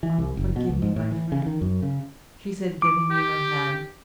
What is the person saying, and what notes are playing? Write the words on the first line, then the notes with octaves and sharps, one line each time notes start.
"Forgive me, my friend," she said, giving me her hand.
E3
C2
F#1
B2
C#2
G#2
A2
E3
C#3
D#3
F#2
C#3
D6
G4